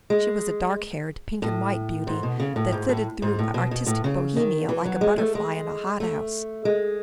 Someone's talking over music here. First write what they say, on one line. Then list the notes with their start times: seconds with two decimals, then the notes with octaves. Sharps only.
She was a dark-haired, pink-and-white beauty that flitted through artistic Bohemia like a butterfly in a hothouse.
0.10 G#3
1.42 A2
2.07 G#2
2.23 B2
2.40 C#3
2.56 A2
2.72 G#2
2.89 A2
3.22 G#2
3.39 A2
3.54 B2
3.71 B2
3.87 A2
4.04 C#3
4.36 D#3
4.69 E3
4.85 F#3
5.01 G#3
5.18 A3
5.35 G#3
6.00 A3
6.65 G#3